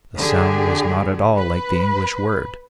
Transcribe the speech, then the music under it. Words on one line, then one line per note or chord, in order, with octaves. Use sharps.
The sound was not at all like the English word.
D3 G4 G#4
B4